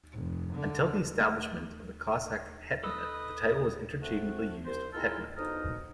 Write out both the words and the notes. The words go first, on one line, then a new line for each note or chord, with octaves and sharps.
Until the establishment of the Cossack Hetmanate the title was interchangeably used with Hetman.
F1
D3
A3
A4 B4 D#5 D#6 E6
A3 C4 F#4
C2 C5
A#2 D#3 G#3 E4 F4 A4
B2 D3 F3 D#4 A#4 D#6